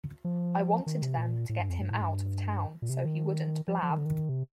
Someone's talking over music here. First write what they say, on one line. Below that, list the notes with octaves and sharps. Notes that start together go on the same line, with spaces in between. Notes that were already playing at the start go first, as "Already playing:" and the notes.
I wanted them to get him out of town so he wouldn't blab.
F3
D#3
C3
A#2
A2
G2
F2
G2
A2
G2
A#2
C3
D#3
F3
F3
D#3
D3
D#3
C3